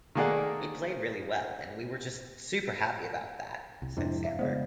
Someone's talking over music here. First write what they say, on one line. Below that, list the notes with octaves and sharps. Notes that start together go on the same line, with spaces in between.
"It played really well, and we were just super happy about that," said Samberg.
D#3 A3 A#3 G#4 D5 F#5
C2
F2 G#2 C3 D4 E4
E5 F5
C#3 G#3 B3 C5 D5 F5